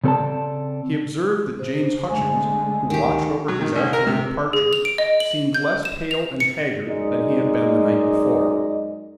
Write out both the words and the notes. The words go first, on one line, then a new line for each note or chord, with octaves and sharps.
He observed that James Hutchings, who watched over his actual departure, seemed less pale and haggard than he had been the night before.
C#3 C4 A4 B4 D5 A5
C#3 C5
D3 G#3 A3 G#5
D2 D#3 E3 G4
F#3
D#3
C2
A#4
C3
G#4
F7
D7
D#5
F#7
G6
E7
F7
C#7
F#2 G#3 D#4 D5 D#5